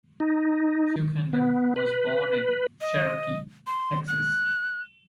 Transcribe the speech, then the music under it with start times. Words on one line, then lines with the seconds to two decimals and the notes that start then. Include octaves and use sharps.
Kuykendall was born in Cherokee, Texas.
0.20 D#4
1.33 B3
1.76 B4
2.81 D#5
3.67 C6
4.08 F#6